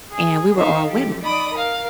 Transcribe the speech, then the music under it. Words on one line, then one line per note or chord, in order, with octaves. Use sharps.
and we were all women,
G#4
D#4 C5 E5 F5
F3 G4 A4
D#4 D5 B5 D#6
A#4 F5